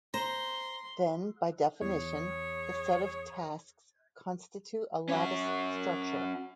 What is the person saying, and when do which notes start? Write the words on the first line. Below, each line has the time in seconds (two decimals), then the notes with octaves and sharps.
Then, by definition, the set of tasks constitute a lattice structure.
0.14 C5 A#5 C6
1.81 E2 G#4 C#5
5.09 C#4 F#4